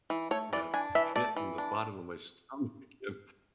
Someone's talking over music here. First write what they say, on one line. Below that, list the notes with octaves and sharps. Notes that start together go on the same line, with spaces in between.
that pit in the bottom of my stomach and,
E3
A3 C#5
E3 D5
D4 G#5
E3 E5
A3 D5
E3
D4